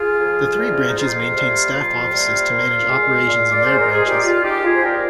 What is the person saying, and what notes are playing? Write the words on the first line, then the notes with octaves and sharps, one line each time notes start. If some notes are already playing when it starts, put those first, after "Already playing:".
The three branches maintain staff offices to manage operations in their branches.
Already playing: F4 G#4
F2
C3 G3 A#3
D#4
F2 F4
C3 G3 A#3
F2
C3 G3 A#3
A#2
G#3
A#2
D5
G#3 C5
A#4
G#4
A#2 D#4 G4
F4
G#3 D#4 G4
F4 G#4
C5
A#2 G4 A#4